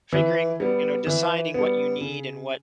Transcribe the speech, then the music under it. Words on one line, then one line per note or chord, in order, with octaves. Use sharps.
figuring you know, deciding what you need and what
E3
G3 B3
E3
G3 B3
C#3